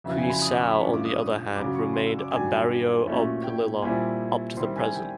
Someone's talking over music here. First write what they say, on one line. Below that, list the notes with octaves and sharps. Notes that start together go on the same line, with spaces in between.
Quisao, on the other hand, remained a barrio of Pililla up to the present.
F2 C#3 F#3 B3 E4 E5
G#5
B5
D#6
D6
C#6
B5
G2 E3 A3 C#4 F4 C#6
D6
D#6
D#6
F#2 C#3 F#3 D6
C#6
C6
E6
D6
G2 D#3 F#3 G#5
A#2 F#3 A3 C#4 E4
G5
A#2 G3 C4 E4 G#5
D#3 G3 C4 E4 C6
G#5
G5